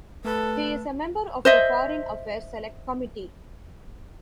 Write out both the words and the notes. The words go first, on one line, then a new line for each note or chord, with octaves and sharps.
He is a member of the Foreign Affairs Select Committee.
A3 A4 B4
C5 D#5 E5